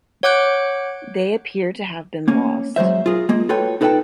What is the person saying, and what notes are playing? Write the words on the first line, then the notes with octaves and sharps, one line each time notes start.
They appear to have been lost.
C#5 F#5 D6 F#6 G6 D7
A#3 C#4
F#3 G#3 C5 E5
F4 G#4 A#4
G#3 A#3
F4 F#4 A4 B4 C#5 G5
D#4 A4 B4 F5 G5 A5